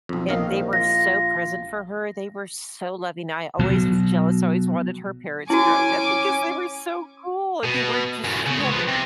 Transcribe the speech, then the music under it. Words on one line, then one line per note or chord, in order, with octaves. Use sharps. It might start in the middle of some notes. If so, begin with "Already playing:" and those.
and they were so present for her, they were so loving, I always was jealous, I always wanted her parents growing up because they were so cool, they were just she had
B1 F2
A#1 D#3 D#5 F5
C2
F4 A#6
B2 F#3
C#4 E4 F#4 G#5 D6
B2
F#2 A2
C#3
G#3 C#5
F3 B3
C3